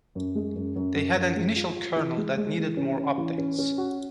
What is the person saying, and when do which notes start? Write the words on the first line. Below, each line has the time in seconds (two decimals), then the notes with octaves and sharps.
They had an initial kernel that needed more updates.
0.15 F#2
0.35 G#3
0.56 F#2
0.76 F#2
0.95 F#2
1.16 F#2
1.36 G#3
1.56 F4
1.76 F4
1.96 E3
2.17 G#3
2.37 G#3
2.58 E3
2.77 C#4
2.97 C#4
3.18 E3
3.38 C#4
3.58 C#4
3.78 F#4